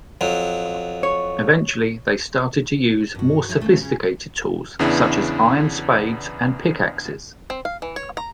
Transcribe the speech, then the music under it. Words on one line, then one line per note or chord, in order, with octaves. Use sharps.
Eventually they started to use more sophisticated tools such as iron spades and pick-axes.
F2 F#3
C#5
G2 F#4
D#4 G#4 C#5 D5 E5
C#3 E3 G3 A3 B3
C#3 C#4 G#4
E2 C#3 B3 D4 E4
C4
F5
E3
C#5
A#5